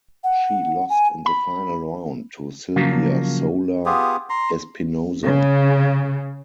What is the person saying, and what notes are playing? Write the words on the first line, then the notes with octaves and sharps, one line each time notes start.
She lost in the final round to Silvia Soler Espinosa.
F#5
G#5
B5
C#3 F3 F#3 A#3
B3 F4 G4 G#4
A#5 C6
C#3